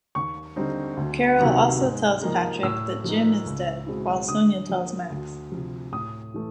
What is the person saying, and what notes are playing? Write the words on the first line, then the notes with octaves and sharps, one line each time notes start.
Carol also tells Patrick that Jim is dead, while Sonia tells Max.
D#2 C#6
D3 G3 C4 D#4
D2
C3 D#3 F#3 B3
G#2
F3 A#3 D#4
A2 E6
F3 A#3 D#4
C#2
B2 G#3 C4 E4
D3 D#6
F3 A#3
D2
C3 F3
A2 D#6
E3 A3